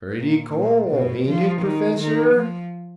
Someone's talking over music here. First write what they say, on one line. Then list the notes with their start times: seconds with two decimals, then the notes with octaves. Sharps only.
"Pretty cold, hain't it, Professor?"
0.19 A#2
0.54 A#2
0.91 B2
1.26 F3
1.62 D#3
1.98 D#3
2.34 F3